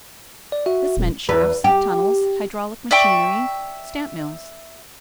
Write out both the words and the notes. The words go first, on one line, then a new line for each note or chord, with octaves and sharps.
This meant shafts, tunnels, hydraulic machinery, stamp-mills.
D5
F#4 E5
D#1
E2 B4
G4
D5 E5 G5 C#6